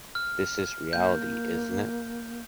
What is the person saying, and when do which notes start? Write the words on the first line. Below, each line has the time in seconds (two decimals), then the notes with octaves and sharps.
This is reality, isn’t it?
0.15 F6
0.93 A#3 G6